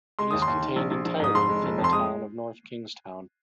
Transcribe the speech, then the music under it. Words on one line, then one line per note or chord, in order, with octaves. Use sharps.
It is contained entirely within the town of North Kingstown.
G#3 C6
D#2 D#6
C6
D#2
D#3
A#1
A#1
A#1
G#2 D#6
F1 C6
G#3
F1
F2
C6
G#3 D#6